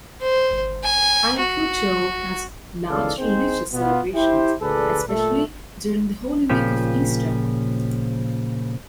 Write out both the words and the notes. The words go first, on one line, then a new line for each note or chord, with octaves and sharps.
Ayacucho has large religious celebrations, especially during the Holy Week of Easter.
C5
G#5
F#4
C#2 D#3 E3 A4 D5 F5
C4 D#4 G#4 C5
B2 B3 F4
E4 G4 C5
D2 A#2 G#4 A4 B4 D5
A#2 A3 A4
A#2 C#3 F3 G4